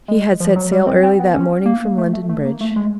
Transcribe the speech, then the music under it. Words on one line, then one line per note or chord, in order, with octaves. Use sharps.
He had set sail early that morning from London Bridge.
G#3
F3
F#3
G3
C4
C4
B3
C#4
A#3
A3
A3
A3
A#3
A3
G#3